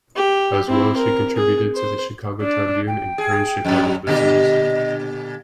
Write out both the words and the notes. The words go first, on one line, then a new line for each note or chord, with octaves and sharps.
As well, she contributed to the "Chicago Tribune" and "Crain's Chicago Business".
G4
C4 E4
A#4
G#4
C5
D4
G5
G#4
F2 F#3
A#2 D3 G4 D#5